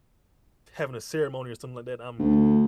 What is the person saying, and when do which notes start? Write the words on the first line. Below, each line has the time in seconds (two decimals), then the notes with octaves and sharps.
t having a ceremony or something like that, I'm
2.19 D2